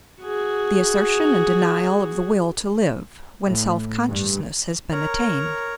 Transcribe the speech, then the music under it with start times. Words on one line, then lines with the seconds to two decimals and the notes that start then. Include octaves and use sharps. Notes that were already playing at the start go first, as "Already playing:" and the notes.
The Assertion And Denial Of The Will To Live, When Self-Consciousness Has Been Attained.
0.23 F#4 G#4
3.46 A2
4.09 G2
4.92 A#4 C#5 A#5